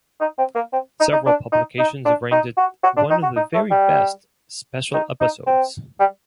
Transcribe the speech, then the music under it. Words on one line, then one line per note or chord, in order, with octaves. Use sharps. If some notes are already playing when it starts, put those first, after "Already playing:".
Several publications have ranked it one of the best very special episodes.
D#4
C4
A#3
C4
D#4
D#4
D4
D#4
D#4
D4
D#4
F#4
F#4
D4
D#4
F#4
D#4
A3
G3
D#4
D#4
C4
G3